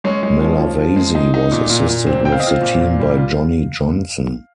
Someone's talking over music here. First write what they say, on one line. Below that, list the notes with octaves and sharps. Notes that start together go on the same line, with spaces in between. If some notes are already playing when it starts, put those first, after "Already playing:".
Malavasi was assisted with the team by Johnny Johnson.
G#3 C#4 C#5
G#3
F3
F3
F3
G#3
D#4
D#4
A#2
A#2
A#2
C4
C4 G5
F5
D#5
C4 F4 F5
A#2
A#2
G3
F4